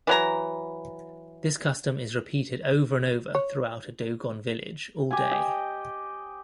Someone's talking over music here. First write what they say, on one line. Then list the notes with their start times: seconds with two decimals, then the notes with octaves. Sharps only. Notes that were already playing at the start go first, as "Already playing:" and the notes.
This custom is repeated over and over, throughout a Dogon village, all day.
0.07 E3 F#3 A#5
3.35 C#5
5.11 G4 G#5
5.31 D#5 G5